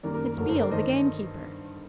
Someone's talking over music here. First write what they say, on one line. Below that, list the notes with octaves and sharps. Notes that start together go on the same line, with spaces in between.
It's Beale the gamekeeper.
F#2 D#3 G3 A#3 A#4 D5
A#4
A#4
G1 G2 D3 F#3 A3 A#4
A4 C5
A#4 D5
G2 D#3 A3 C5 D#5